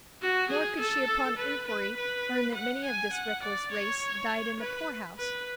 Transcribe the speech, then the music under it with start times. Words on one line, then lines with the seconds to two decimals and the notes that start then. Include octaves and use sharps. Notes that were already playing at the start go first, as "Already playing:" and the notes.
Nor could she upon inquiry learn that many of this reckless race died in the poorhouse.
0.22 F#4
0.50 G#4
0.80 A4
1.38 B4
1.68 B4
1.97 B4
2.55 F#5
2.85 G#5
3.13 F#5
3.43 D5
3.72 C#5
4.60 B4
5.18 B4